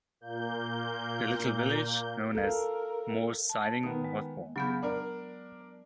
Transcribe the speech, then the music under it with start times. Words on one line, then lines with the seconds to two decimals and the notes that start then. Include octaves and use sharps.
The little village, known as Moore's Siding was born.
0.20 A#2 A#3 G6
2.35 A4 A#4 F5
3.50 A5
3.83 D#3 B3 D#6
4.05 G#3
4.56 C#3 F#3 B3 G6
4.82 D4 A#4